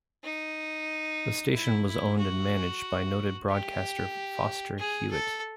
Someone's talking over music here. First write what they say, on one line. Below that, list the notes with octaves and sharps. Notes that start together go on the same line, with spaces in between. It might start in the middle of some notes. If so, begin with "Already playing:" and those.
The station was owned and managed by noted broadcaster Foster Hewitt.
D#4
E4
E4
F#4
G4
G#4
A4